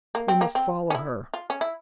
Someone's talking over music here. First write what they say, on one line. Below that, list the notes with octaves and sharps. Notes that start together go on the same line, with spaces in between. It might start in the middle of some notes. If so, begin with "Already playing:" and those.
"We must follow her."
A#3
C4
A#3
C4
C#4
E4
F4
C#4
E4